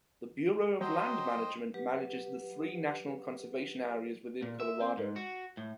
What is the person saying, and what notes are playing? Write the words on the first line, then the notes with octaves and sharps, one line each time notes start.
The Bureau of Land Management manages the three National Conservation Areas within Colorado.
F#3 C5 D#5 G5
F#3 G4 B4
A#2
E5
C4
G#2
F#4
A2